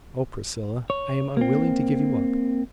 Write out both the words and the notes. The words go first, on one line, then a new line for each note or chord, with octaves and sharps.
Oh, Priscilla, I am unwilling to give you up!
C#5
A#3 C4